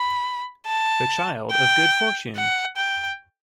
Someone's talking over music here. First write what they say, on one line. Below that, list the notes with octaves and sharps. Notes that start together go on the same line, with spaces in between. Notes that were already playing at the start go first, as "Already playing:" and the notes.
The child of good fortune!
Already playing: B5
A5
G5
F#5
G5